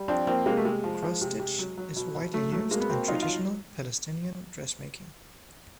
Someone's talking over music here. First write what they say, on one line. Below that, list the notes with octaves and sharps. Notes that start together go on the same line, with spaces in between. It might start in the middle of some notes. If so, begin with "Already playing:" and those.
Cross stitch is widely used in traditional Palestinian dressmaking.
Already playing: G3
F3 C4 D4
F3 A#3 C4
C3 G#3 A#3
A3
C3 G#3
F3
F3
C3
C3
F#3
F#3
B2
B2
F#3 A3
F#3 A3
B2 G#3 A#3
B3
B2 A#3 C4
F#3 D#4 F4
F4
F#3